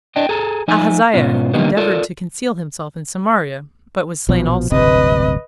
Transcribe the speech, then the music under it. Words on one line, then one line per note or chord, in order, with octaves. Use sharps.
Ahaziah endeavoured to conceal himself in Samaria, but was slain also.
D4 D#5 G5
G#4 A4 A#5
F3 A3 D#4 G#5
G#2 B2 B3 C#4 F4
D3 G3 A#3 B3 D#4
F4 A4 A#4 D5
A#1 B2 F3
D1 G1 C3 B4 D#5